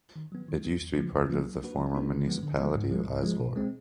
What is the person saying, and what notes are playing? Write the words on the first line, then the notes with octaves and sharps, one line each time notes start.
It used to be part of the former municipality of Izvor.
D#3
F#3 B3
D#3
F#3 B3
E2
C#3 F3 A#3
E2
C#3 F3 A#3
F#3
A#3 D4 F#4 B4
F#3
A#3 D4 F#4 B4
D3
F3 G#3 B3
D3
F3 G#3 B3
G#2
F3 G#3
G#2
F3 G#3
B2
G#3 C4